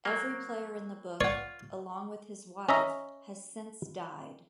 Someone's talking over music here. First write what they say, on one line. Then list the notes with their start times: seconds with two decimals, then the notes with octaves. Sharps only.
Every player in the book, along with his wife, has since died.
0.05 F#3 A#3
1.21 F4 C#5 D5 F#5
2.69 C#4 D#5 E5 A#5